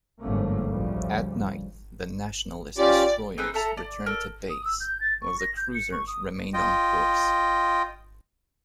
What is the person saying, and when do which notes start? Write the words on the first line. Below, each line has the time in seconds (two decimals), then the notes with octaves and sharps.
At night, the Nationalist destroyers returned to base, while the cruisers remained on course.
0.20 G1 G#2 F3 A3 A#3 C#4
0.65 A1 D2 C#3 F3 G3
2.78 C#4 F4 G4 D5
3.38 C4 D#4 G#4 B4
3.54 A4 E5 A5 A#5
3.77 D5
4.06 A4 A#4
4.50 D#6
4.65 E6
4.80 G6
5.01 A6
5.22 C#6
5.39 A#6
5.57 G6
5.74 C#7
5.92 C#6
6.07 D#6
6.54 F4 D#5 G5